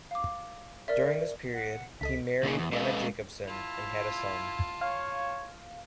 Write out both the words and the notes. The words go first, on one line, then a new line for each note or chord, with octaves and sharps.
During this period, he married Anna Jacobsen and had a son.
F5 D6
A#4 D5 E5
F#5
C#2 A4 D#5 B6
B2 D3 A#3 C#4 D#4 G#4
E2
G#3 C#4 A4 B4 D#5 F5
E4 F4 A5
C#5 F5